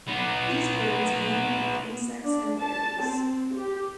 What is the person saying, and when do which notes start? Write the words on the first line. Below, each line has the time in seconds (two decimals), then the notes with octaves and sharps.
These birds mainly eat insects and berries.
0.08 B3 D#4
2.23 D4
2.60 A5
3.03 C4
3.54 G4